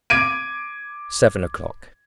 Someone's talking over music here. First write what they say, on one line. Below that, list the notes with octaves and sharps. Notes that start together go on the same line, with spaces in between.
Seven o'clock.
D6 G#6 D7 D#7